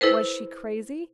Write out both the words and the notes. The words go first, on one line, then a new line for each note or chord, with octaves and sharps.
Was she crazy?
E4 A4 B4 C5